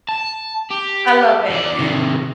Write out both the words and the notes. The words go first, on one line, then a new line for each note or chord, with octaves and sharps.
I love it. Do d
A5
G4
E2 D5
C3 D#3